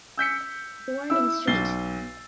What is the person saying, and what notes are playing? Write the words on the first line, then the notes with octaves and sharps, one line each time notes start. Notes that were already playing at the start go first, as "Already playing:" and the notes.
Born in St.
E6 G6 B6 C#7
E4 E6
B1 A6 C7 G7